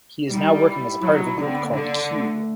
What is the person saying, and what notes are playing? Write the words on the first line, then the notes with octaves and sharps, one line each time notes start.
He is now working as part of a group called "Q".
G3 D#4
E4
F#3 E4
D#4
E4
D3 D#4
C4
B3
A#3
D3
A#3
A3